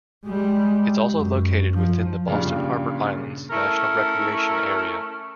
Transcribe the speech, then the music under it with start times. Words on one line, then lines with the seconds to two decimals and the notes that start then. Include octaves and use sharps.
It's also located within the Boston Harbor Islands National Recreation Area.
0.24 G3 G#3
1.13 F#2
1.74 F3
2.27 G2 A#2 C#3
3.50 A3 C#4 E4 A#4